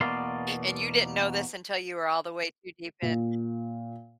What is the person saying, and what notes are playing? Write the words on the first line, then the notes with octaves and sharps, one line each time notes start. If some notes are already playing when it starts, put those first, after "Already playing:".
And you didn't know this until you were all the way too deep in.
E2 B2 A#3 D5 F5 C6
A#2